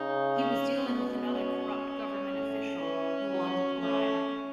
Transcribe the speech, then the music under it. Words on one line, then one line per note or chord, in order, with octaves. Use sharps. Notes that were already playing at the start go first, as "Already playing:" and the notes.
He was dealing with another corrupt government official who wanted a bribe.
Already playing: C#3 D#4
C#4
B2 B3
C#4
A2
E3 C#4
F#3
A3 C#4